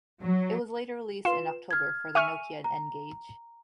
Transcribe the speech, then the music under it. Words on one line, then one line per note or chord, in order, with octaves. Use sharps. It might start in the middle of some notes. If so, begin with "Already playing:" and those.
It was later released in October for the Nokia N-Gage.
F#3
F4 B4 C6 E7
F6 G#6
E5 G#5 C#6 F6 D#7 F7
A#5